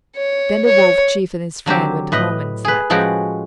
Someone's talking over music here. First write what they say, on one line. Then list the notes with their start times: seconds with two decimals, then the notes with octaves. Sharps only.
Then the Wolf chief and his friend went home and slept.
0.16 C#5
0.66 C#5
1.66 D3 F#3 C4 G4
2.12 A2 B4 D#5
2.65 G#4 B4
2.90 A2 F3 G#3 C#4 F#4 G5